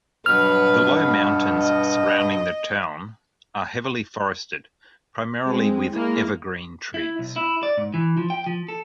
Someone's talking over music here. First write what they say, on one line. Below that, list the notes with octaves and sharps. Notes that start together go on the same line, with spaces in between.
The low mountains surrounding the town are heavily forested, primarily with evergreen trees.
G2 B2 F#3 B3 B4 F6
D#5
G#3 C4
G#3 A#3 E4
E4
B1
E4
D5
G#2
E3
F3
G5
F3
A4